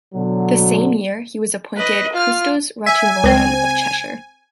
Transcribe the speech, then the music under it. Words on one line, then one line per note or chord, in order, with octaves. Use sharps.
The same year he was appointed Custos Rotulorum of Cheshire.
B2 D3 F#3
B4 D#5
F4 F6
E5 G#5
C#2 C4